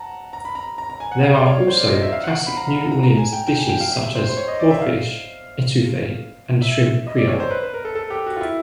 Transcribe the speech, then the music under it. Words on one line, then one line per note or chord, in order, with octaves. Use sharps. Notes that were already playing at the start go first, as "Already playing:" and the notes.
There are also classic New Orleans dishes such as crawfish etouffee and shrimp Creole.
Already playing: F#5 A5 A#5
A#5
B5
A#5
A#5
A#5
G#5
F#5
F5
D5
C#5
C#5
C5
D5
D#5
E5
F5
F#5
B5
A#5
B5
A#5
A#5
A#5
G#5
G5
G5
G#5
G5
F5
E5
C5
C5
C#5
D#5
D5
E5
F5
E5
D#5
D5
C#5
C5
B4
B4
A#4
A4
A4
G4
F#4
F4
E4